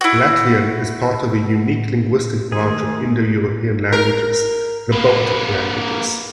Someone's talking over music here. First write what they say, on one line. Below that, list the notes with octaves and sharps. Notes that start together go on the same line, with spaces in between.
Latvian is part of a unique linguistic branch of Indo-European languages: the Baltic languages.
E4 F#4
D#3 A3 G#4
A#4
A#3 B4